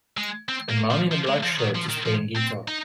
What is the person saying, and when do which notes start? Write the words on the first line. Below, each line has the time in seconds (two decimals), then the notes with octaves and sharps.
A man in a black shirt is playing guitar.
0.17 G#3
0.49 C4
0.70 A#3
0.91 F3
1.12 F3
1.27 G#3
1.43 F3
1.59 D#3
1.75 F3
1.89 D#3
2.05 F3
2.36 C4
2.68 D#4